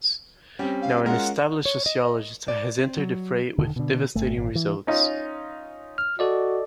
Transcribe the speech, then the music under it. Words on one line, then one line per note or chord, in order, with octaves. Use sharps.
Now an established sociologist has entered the fray with devastating results.
G3 C4 C#4
F5
G#3 C#4 F4 A#4 F#5
C#5
D#5
D5
C4
F#3
E1 D3 D#3
B2 D3
G#1 A3
G#1
E3
C#4 D#4 F4
F6
F#4 A4 D5 D#5